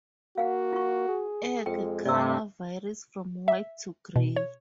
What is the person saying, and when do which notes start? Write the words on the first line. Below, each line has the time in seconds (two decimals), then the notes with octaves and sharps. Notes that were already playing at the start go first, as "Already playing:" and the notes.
Egg colour varies from white to grey.
0.38 A#3 F#4 F5 F#5
0.73 F4 C#6
1.08 G#4
1.66 F2 G#3 G5
2.05 G2 C3 G3 D5 E6
3.48 E5
4.16 B2
4.36 C#5